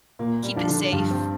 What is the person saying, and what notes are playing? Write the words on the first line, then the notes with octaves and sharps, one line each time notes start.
keep it safe.
A#2 A#3
G3
F3 D4
D3
G2 F3
C4